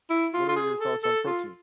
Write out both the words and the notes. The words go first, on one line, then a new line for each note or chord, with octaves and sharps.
What are your thoughts on protein?
E4
F4
F4
G#4
A4
A4
F4